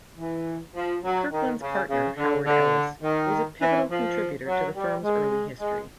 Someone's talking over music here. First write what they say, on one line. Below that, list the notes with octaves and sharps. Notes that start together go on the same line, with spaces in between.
Kirkland's partner, Howard Ellis, was a pivotal contributor to the firm's early history.
E3
F3
F#3
D#3
C#3
C#3
D3
D3
D#3
E3
F3
F#3
G3
G#3
G#3